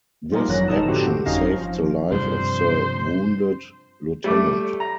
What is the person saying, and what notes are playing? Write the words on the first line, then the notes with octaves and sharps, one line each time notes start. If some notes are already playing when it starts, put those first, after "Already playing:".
This action saved the life of the wounded lieutenant.
F3 G3 G#3 A#3 D#4 F4
G#1 F#2 D#3 F#3 F#6 A#6
B2 F3 D#4 A4 A#5 E7
A2 D3 C4 F#4 G4
G1 F2 C#4 D#4 F5 A#6
F3
G2 C3 F3 C5
G3 A3 D6
A#5